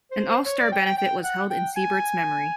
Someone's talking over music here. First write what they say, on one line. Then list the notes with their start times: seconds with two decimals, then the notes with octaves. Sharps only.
An all-star benefit was held in Siebert's memory.
0.11 C5
0.28 C5
0.45 C#5
0.59 D5
0.72 G5
0.86 G5
0.98 G5
1.24 F#5
1.51 G5
1.76 G#5